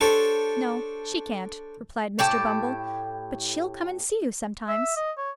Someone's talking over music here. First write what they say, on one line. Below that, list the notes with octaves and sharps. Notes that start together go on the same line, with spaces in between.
'No, she can't,' replied Mr. Bumble. 'But she'll come and see you sometimes.'
D4 G4 A4 C5 C#5
A2 G4 G5 A5
E5
D#5
C#5